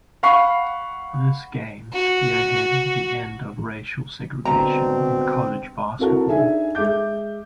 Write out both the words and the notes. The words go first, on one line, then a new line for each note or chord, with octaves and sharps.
This game spearheaded the end of racial segregation in college basketball.
F5 F#5 B5 C#6 C7
F#4
B2 D3 G3 C4 D4 A#5
C4 E4 F#4 A#4 A5
D4 D#4 G#4 E5 G#5
G#3 E5 D6 G6